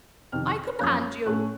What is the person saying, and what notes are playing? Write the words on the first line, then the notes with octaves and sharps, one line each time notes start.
"I command you!"
F2 C3 D#3 F6
F#2 F3 A#3 C#4
A2 A3 C#4 F#6